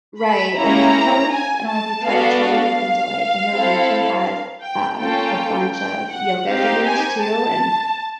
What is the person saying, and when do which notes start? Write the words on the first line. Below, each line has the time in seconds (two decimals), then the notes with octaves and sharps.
Right, I mean, you could always I don't know if you've tried it, but you could always look into, like I know YouTube has, um, a bunch of yoga videos too, and
0.20 B5
0.57 A#3 C#4 E4 G4 A#5
1.31 G#5
1.68 A5
2.05 B3 D4 F#4 A4 F5
2.41 F5
3.52 C4 E4 A4
4.63 G5
5.00 A#3 C#4 F4 A4 G5
5.74 G5
6.11 F#5
6.48 C4 D#4 G4 F5
6.84 G#5
7.22 A5